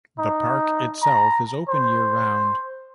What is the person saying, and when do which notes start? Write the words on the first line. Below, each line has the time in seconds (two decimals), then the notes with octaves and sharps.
The park itself is open year-round.
0.19 D#4
1.02 A#5
1.69 C5